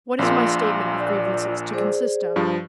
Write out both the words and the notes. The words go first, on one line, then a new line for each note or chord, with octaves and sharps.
"What is my statement of grievances to consist of?"
A#1 A#2 F5 B5 C6
D5
G#4 C5 D5
G2 F3